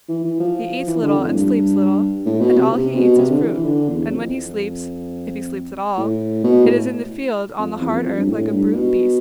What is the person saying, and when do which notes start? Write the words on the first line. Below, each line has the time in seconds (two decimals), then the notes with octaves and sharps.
He eats little and sleeps little, and all he eats is fruit, and when he sleeps, if he sleeps at all, it is in the field on the hard earth like a brute beast.
0.09 E3
0.24 E3
0.40 F3
0.87 E3
1.02 D3
1.17 F2
1.28 A2
1.34 G2
2.26 A2
2.41 B2
2.57 C3
2.72 C3
2.96 B2
3.18 C3
3.30 D3
3.42 E3
3.54 E3
3.65 D3
3.89 E2
4.12 F2
5.97 A2
6.44 B2
6.66 A2
7.59 F2
7.82 E2
7.94 F2
8.05 F2
8.17 G2
8.29 A2
8.52 G2
8.74 B2